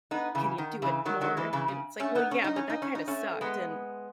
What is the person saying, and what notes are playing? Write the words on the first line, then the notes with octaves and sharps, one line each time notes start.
"Can you do it more?" And it's like, "Well, yeah, but that kinda sucked, and
B3 D#4
C#3 E3
D#3
C#3 E3
D#3 F#3
D#3 F#3
E3 G#3
C#3 E3
C#3
A3 C#4
B3 D#4
C#4
D#4
C#4
D#4
C#4
D#4
A3 C#4
G#3 B3